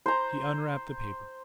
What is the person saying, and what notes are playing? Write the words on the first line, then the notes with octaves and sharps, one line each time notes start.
He unwrapped the paper.
C5 A#5